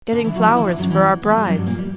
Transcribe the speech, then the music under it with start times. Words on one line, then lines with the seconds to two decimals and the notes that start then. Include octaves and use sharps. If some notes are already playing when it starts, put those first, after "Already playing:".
'Getting flowers for "our brides".
0.12 D3 D4
0.24 E3 E4
0.35 F#3 F#4
0.45 E3 E4
0.56 E3 E4
0.67 D3 D4
0.78 F#2 F#3
0.90 E2 E3
1.22 B3
1.30 A#3
1.37 G3
1.45 F#2 F#3
1.55 G2 G3
1.66 A#2 A#3
1.78 G3